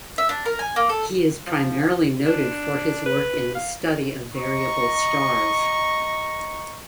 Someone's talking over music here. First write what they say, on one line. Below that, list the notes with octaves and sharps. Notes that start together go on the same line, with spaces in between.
He is primarily noted for his work in the study of variable stars.
E5
D4
A#4
G#5
A#3
A4
F3
D4
B4
F5
D#5 A#5 C#6